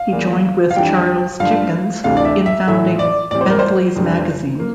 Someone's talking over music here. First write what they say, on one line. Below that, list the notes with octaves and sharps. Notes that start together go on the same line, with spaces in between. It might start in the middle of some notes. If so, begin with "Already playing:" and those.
He joined with Charles Dickens in founding "Bentley's Magazine".
Already playing: F5
E2 E3 A#3
F5
F2 E3 G3 D4 G5
G2 D3 F3 F5
D2 C3 E3 A3 D4 F5
D5
E5
E5
A2 E3 A3 E4 E5
D5
A2 E3 G3 C4 D5
C5
A#4
C5
F1 F2 D3 G3
A#3